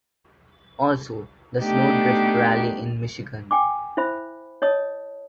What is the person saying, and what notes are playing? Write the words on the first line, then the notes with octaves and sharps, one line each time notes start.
Also, the Sno Drift Rally in Michigan.
A3 B3 D4 D#4 G4
G5 G#5 D6
E4 C5 E5 B5
C#5 D#5 A5 D#6